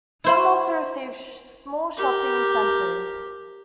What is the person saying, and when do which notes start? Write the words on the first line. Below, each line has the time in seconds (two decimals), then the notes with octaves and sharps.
Some also received small shopping centers.
0.24 E4 C5 B5
1.97 G4 A#4